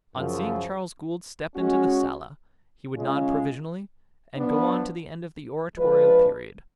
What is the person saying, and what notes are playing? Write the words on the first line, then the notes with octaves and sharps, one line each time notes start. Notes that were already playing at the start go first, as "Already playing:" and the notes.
On seeing Charles Gould step into the sala he would nod provisionally and go on to the end of the oratorial period.
F#2 C#3 F3
G#3 C#4 F#4
C#3 G#3 C#4 F4
F3 B3 D4
F3 G#3 D4 F4 B4